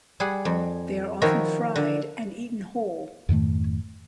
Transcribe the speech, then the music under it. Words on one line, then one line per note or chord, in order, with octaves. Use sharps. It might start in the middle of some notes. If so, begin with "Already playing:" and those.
They are often fried and eaten whole.
G3 G#4 F#5
F2
D#3 F3 E4 F#4 A#4 C#5
D3
F2 G#2 D#3 A3